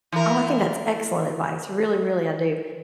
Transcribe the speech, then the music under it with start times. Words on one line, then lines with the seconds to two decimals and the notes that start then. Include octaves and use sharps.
oh, I think that's excellent advice, really, really I do,
0.12 E3 A#4